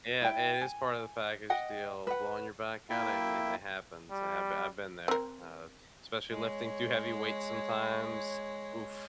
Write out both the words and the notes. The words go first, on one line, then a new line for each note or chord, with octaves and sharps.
Yeah. It is part of the package deal, blowing your back at it, and it happens. I have b I've been there, uh, especially lifting too heavy weights sometimes, oof,
E4 G5
G#5
D#5 F#5 G5
B4 F#5
A#3 E4 E5 G5
G3
C4 A#4
G#3 C#5